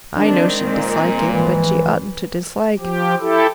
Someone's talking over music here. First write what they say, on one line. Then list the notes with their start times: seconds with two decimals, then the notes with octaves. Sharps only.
I know she'd dislike it, but she oughtn't to dislike.
0.16 D#3 G#3 C4 D4
0.63 A#2
1.33 G#2 E3 F3
2.80 F3 G4
3.20 E4 G4 A4